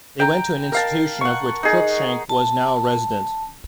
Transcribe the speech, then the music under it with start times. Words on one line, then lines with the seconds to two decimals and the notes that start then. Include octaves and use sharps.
They went to an institution of which Crookshank was now a resident.
0.20 G5 A#5
0.72 A#4 F5 A5
1.21 F#5 C#6
1.63 D#4 G#4
2.29 A5